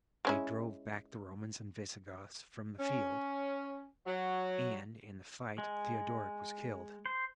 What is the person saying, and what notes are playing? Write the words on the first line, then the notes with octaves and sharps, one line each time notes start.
They drove back the Romans and Visigoths from the field, and in the fight Theodoric was killed.
G#3 C#4 E4
C#4
F#3
G#3
C5